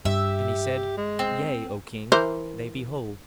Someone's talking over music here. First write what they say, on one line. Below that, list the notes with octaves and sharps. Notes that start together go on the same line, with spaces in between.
And he said, Yea, O king, they be whole.
G2 G4 E5
G#3
C4
E3 A#4 C5